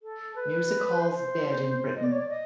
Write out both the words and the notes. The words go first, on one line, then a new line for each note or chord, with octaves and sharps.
Music hall's dead in Britain.
A4
B4
C5
D#5
D5
C#5
D5
D#5